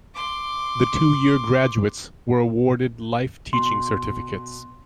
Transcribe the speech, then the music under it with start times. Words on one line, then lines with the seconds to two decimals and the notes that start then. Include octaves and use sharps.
The two-year graduates were awarded life teaching certificates.
0.14 C6 D6
3.53 B2 C6